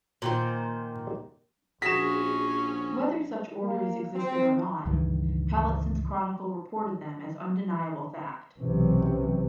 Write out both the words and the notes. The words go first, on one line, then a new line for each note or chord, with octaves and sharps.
Whether such orders existed or not, Palitsyn's chronicle reported them as undeniable fact.
A#2 D#3 C5
A#1 C#4 F#4 G#4 A#6 B6 E7
A#3
C4
C#2 G2 D#3 E3
B1 C3 E3 C#4